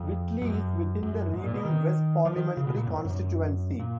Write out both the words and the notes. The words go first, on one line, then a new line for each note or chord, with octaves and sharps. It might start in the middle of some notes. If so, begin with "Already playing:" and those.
Whitley is within the Reading West parliamentary constituency.
Already playing: F2
F#2
F#2
G#2
A#2
B2
D#3
F3
D#3
C#3
B2
A#2
F#2
G#2
F#2
A#2